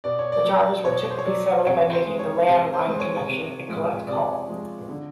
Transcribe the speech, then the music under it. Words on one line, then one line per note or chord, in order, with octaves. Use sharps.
The charges were typically settled by making the landline connection a collect call.
B2 D5
C#5
D5
F#3
B2 C#5
C5
C#5
F#3 D5
C3 C#5
C5
E3 G#3
C#5
C3 C5
C5
E3 G#3 C5
C#5
C3
F3 G#3
C3 D5
F3 G#3
D3